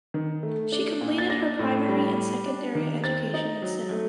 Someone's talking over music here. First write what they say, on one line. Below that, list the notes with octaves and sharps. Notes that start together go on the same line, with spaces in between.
She completed her primary and secondary education in Sinop.
D#3
A3
D4
A#2
A6
D4 A#6
A2
G3
G3
D4
D#3
C4 A6
D#4
F#3
A3